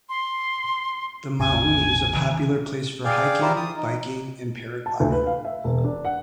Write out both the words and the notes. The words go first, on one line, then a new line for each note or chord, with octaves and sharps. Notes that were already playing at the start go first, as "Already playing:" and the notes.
The mountain is a popular place for hiking, biking and paragliding.
C6
A1 E2 G#5
C3 D#3 E3
G#4 D5 F5 G5
E4 F4 G4 A#4 C5 D5
D#6
D#4
A5
D2
B4
F5
E5
E1
D4
F#5